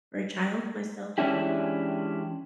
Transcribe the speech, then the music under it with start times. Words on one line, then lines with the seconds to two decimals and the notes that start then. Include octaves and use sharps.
or a child myself, but
1.18 E3 G#3 C#4 D4 E4 G4